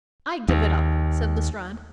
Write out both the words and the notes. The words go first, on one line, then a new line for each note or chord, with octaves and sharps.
"I give it up," said Lestrade.
D#2